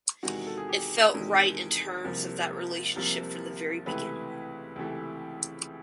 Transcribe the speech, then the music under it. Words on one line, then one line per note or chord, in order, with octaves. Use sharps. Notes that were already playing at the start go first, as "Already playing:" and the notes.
It felt right in terms of that relationship from the very beginning.
E2 C3 D#3 G#3 F#4
A4
G#4
G4
E2 C3 D#3 G#3
C2 C3 F3 A#3
C2 C3 F3 A#3
C#2 C3 E3 A3 B4
C#2 C3 E3 A3